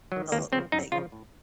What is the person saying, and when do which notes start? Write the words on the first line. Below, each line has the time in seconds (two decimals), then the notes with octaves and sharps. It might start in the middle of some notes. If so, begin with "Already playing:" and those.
a litt big
0.12 D#3 F#3
0.32 D#2 A#3
0.52 C#3 C4
0.55 F3
0.72 F#2 D#4
0.92 C#3 F3 F4
1.12 A2